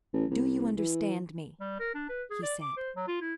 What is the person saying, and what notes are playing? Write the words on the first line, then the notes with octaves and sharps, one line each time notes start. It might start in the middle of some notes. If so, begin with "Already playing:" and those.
"Do you understand me?" he said.
A1
C2
E3
G3
A#4
D4
B4
G#4
D5
D6
C5
F#3
F4
E4